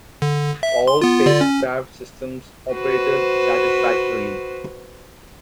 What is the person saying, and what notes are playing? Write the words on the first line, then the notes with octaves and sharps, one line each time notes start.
All spacecraft systems operated satisfactorily.
D3
E5
C6
B3 F4
D3 F4 D5
C#4
F#4 B4 C5